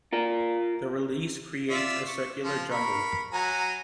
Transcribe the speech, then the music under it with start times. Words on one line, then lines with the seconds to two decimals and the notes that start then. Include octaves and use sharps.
The release creates a circular jumble.
0.13 F4 A#4
1.70 F4 D5 E5
2.07 C#6
2.44 F3 F4
2.71 A#4 B5 C#6
3.32 F#3 G#5 A#5